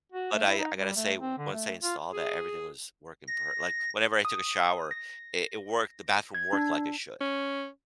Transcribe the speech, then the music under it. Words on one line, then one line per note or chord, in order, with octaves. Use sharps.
but I I gotta say, once I installed that, everything was working per like, whenever I took a shower, it it worked. The bathroom worked like it should.
F#4
A3
E4
D#4
G3
A3
C4
D3
A3
F4
G#4
A#6
D#6
A#6
G#6
D4
C#4